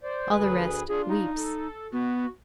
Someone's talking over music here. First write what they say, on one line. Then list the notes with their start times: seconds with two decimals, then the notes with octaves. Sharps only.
All the rest weeps.
0.04 C5 D5
0.31 D2 G#4 B4
0.89 D4 F4 G#4
1.08 D#4
1.37 A4
1.93 B3 F#4